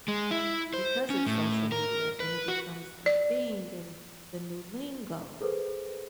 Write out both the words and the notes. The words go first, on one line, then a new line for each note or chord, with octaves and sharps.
because it's social media, and it becomes a thing, and the new lingo,
G#3
E4
C5
C#4
A2
A#4
B4
F#4
D5
G#4 A4 B4 C5